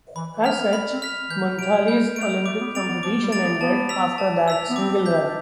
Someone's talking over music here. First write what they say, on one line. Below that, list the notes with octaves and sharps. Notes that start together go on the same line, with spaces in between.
As such, Munthali's Olympic competition ended after that single run.
E3 B5
E3
F3 F6 B6 F7
B3 B5
C4
F6 B6 F7
E3 G6
C3 D7 F7
G3 G6
A3 D7
F7
G3
A3 D6
B3
C4 A6 D7 F7
B3
F3 D6
G3
A6 D7 F7
B3
A3
B3 A5
E6 B6 F7
A5
E6 B6 F7
B3
C4 D6
G6 B6
D4